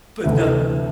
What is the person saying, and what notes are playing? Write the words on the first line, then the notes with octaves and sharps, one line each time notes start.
But, um
D2 C3 E3 A3 E5